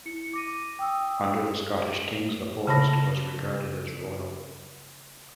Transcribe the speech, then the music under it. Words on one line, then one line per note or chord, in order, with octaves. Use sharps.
Under the Scottish kings the forest was regarded as Royal.
E4 C#7
D6 A#6 D#7
G5 D#6 E6
C#3 A5 B5 A#6